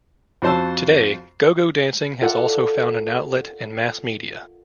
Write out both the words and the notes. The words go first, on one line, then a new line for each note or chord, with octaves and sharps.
Today, go-go dancing has also found an outlet in mass media.
F2 F#4 C5 A5 E6
F4 A4 A#4 D5 E5 F#5